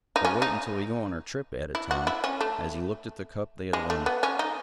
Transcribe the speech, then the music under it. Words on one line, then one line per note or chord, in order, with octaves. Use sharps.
"But wait until we go on our trip," added Tom, as he looked at the cup they had won.
D#4
C#4
D#4
E4
F#4
E4
C#4
A3
G#3
A3
B3
C#4
D#4